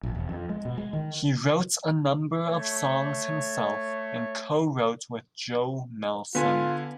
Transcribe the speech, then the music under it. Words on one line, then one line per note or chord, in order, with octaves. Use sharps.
He wrote a number of songs himself and co-wrote with Joe Melson.
A#1
E1
F2
G#3
B2
G#3
D#3
A3 C#5
D3 B3 F4 G#5